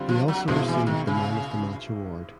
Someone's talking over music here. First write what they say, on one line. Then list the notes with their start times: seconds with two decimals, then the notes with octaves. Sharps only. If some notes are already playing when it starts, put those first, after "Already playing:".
He also received the man of the match award.
Already playing: D3 G3 C4 F4
0.09 F3
0.28 F#3
0.48 B1 B2 F3 G#3 C4 E4
0.68 E3
0.87 D#3
1.07 C#3